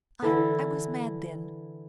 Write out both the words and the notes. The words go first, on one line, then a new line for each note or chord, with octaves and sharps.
I--I was mad then.
D3 E3 E4